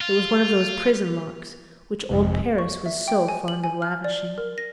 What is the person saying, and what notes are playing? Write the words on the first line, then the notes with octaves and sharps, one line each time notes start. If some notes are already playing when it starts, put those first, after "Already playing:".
It was one of those prison locks which old Paris was so fond of lavishing.
F4
G#1 F2 G#2 C3 G#3
C#6
E5
G5
G#5
F#7
G#5
F6
D5
A#4
A#6